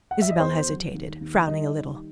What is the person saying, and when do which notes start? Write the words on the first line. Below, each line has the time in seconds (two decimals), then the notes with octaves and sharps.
Isabel hesitated, frowning a little.
0.11 F#5
0.22 E5
0.31 D#5
0.40 E2 C5
0.68 F#3
0.94 D#2
1.21 D#2
1.47 G3 D#4 D#5
1.75 D#3